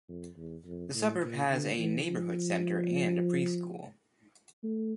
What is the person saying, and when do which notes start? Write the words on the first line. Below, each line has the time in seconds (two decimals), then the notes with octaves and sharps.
The suburb has a neighbourhood centre and a preschool.
0.09 F2
0.37 E2
0.65 F2
0.94 A2
1.22 A#2
1.51 D3
1.79 E3
2.07 F3
4.64 A3